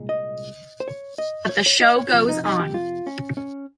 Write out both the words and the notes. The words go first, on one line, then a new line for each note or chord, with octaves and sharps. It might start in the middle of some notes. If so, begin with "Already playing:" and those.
But the show goes on!
Already playing: C2 A#2 G#3
D#5
C5
C#5
D#5
C#5
C#5
D#5
C#5
F2 C3 F3 F4
D#4
D#4
G4
F4
C#4
C#4